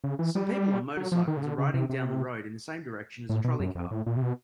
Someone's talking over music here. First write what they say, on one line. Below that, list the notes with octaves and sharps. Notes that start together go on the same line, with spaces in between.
Some people on motorcycles are riding down the road in the same direction as a trolley car.
C#3
E3
G3
F#3
F3
D#3
C#3
D3
C#3
C3
C3
A2
B2
F#2
F2
A2
A#2
C3
B2